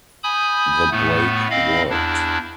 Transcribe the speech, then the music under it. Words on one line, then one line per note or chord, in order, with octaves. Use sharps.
The break worked.
G#5 B5 D#6 G6
A2 A3 B3
C4 D#5 F5 B5
E2 D4 E4